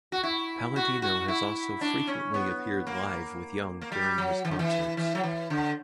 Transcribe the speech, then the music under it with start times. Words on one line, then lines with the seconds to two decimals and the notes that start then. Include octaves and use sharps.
Palladino has also frequently appeared live with Young during his concerts.
0.12 F#4
0.23 E4
0.76 F#4
1.02 F#4
1.28 E4
1.81 D4
2.07 C#4
2.34 B3
2.87 A#3
3.81 A#3
3.92 G3
4.18 F#3
4.45 E3
4.51 D3
4.59 E3
4.97 E3
5.15 F#3
5.24 E3
5.50 D3